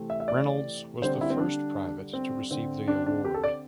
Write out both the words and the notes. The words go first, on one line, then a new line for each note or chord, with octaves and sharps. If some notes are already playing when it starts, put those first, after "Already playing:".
Reynolds was the first private to receive the award.
Already playing: C3 E3 A3 C4
E5
E5
D5
D3 G3 C4 C5
E4
C4
D4
C4
D3 C4
D4
D4
G4
A4
D5